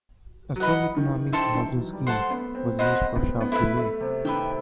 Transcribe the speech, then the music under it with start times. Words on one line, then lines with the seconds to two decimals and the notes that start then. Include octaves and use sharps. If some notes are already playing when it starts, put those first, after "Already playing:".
A sub-economic housing scheme was used for Sharpeville.
0.56 F#3
0.60 E3 B4 D#5 F#5
0.97 D#3
1.33 D#3 A4 C5 E5 G5
1.55 D#3
1.67 E3
1.80 F#3
1.93 G3
2.06 A3 C5 F#5 A5 C6
2.30 B3
2.55 C4
2.79 C4 C5 D#5 F#5 B5
3.16 B3
3.41 B3
3.52 A3 E4 B4 E5
3.76 A3
4.01 C3
4.25 D#3 B4 E5 G5